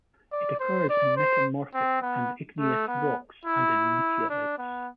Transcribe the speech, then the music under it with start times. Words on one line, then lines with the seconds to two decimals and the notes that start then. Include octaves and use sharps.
It occurs in metamorphic and igneous rocks and in meteorites.
0.32 D5
0.60 C5
0.89 D5
1.16 C5
1.74 C4
2.02 B3
2.59 A3
2.88 B3
3.45 E4
4.30 D4
4.58 B3